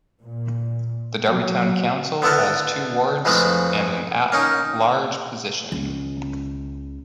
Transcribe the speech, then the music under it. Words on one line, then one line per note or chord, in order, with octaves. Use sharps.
The Darby Town Council has two wards and an at-large position.
A#2
F#3
D3 B3 E4 A4 A#4
F2 E3 F3 G#3 A3
A#3 C#4 D#4
C#2 C#3